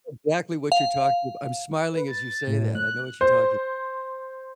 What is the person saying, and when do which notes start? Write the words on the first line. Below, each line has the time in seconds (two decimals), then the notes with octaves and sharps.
Exactly what you're talking abou I'm smiling as you say that. I know what you're talking
0.72 F5
1.92 B4
2.08 A6
2.47 A2
2.75 F#6
3.21 C5